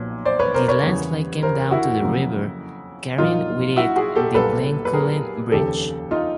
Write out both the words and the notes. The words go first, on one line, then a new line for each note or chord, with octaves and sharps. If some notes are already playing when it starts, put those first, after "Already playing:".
The landslide came down the river carrying with it the Glencullen Bridge.
Already playing: B1 A#2 F3
C5 D5
B4 C#5
A#4 C5
B4 C#5
E2 C#3 E3 G3 B3
A#4 C5
E4 F#4
F2 C#3 F#3 A#3
A#1 A#2 F#3 A#3 D#4 F4
E4 F#4
F#4 G#4
G4 A4
B1 A#2 G3 A#3 A4 B4
B4
G#4 A#4
F1 D#2 C#3 G4 A4
D#4 F4